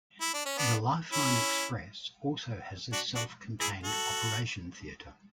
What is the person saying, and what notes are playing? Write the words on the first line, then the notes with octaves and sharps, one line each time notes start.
The Lifeline Express also has a self-contained operation theatre.
E4
D4
C#4
B3 D4
C#4 E4
D4 F#4
D4 F#4
E4 G#4
F#4 A4